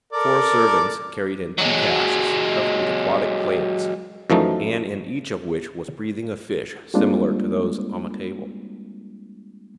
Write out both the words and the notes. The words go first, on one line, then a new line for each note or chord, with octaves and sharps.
Four servants carried in two casks covered with aquatic plants, and in each of which was breathing a fish similar to those on the table.
A4 A#4 D5
F#3 G#3
F#2 E3 F3 A3 D#4
G3 G#3 A#3 C4 D4 F4